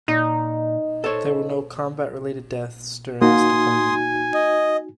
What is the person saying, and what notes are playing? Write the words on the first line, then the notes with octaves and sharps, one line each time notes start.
There were no combat related deaths during this Deployment.
A#2 D#4
A4 C5 C#5
A#3 D#4 F#4 G#5 C6 D#6
D#5